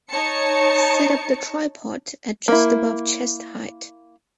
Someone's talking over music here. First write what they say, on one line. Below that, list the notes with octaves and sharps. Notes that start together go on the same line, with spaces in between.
Set up the tripod at just above chest height.
D#4 C#5 A5 C#7
A#3 E4